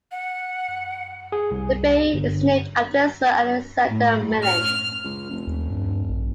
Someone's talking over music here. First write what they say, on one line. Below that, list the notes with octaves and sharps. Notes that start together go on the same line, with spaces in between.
The bay is named after Sir Alexander Milne.
F#5
G#4
C2
G1
A2
F6
C#2
F1
D#2
G2
A#1